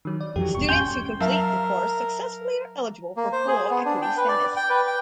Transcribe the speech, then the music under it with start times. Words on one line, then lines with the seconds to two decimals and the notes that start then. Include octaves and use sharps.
Students who complete the course successfully are eligible for full Equity status.
0.05 D#3 F#3
0.21 D5
0.36 F2 E3 F#3 G4
0.55 F1 C2 B2 C#6
0.69 A1 F2 C#4 G5 G#5 C6 C#6
1.20 F#3 A#4 E5 F5 A5
3.17 A#3
3.32 C5
3.48 G#4
3.71 B3
3.85 D4
4.02 G5
4.17 B4
4.28 D5
4.56 G5
4.70 B4
4.87 G5